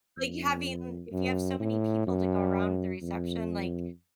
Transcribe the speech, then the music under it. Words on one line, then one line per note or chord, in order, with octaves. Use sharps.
like you having if you have so many people to go around the reception, like,
F2
F#2
A2
F#2
F2